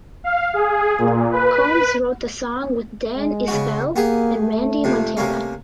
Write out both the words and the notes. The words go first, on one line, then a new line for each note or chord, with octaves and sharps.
Combs wrote the song with Dan Isbell and Randy Montana.
F5
G#4
A#2
B4
G#3
C#3 B3 F#4
A#3 B3 G4 G#4
A3
F2 C3
C3 A#3 C#4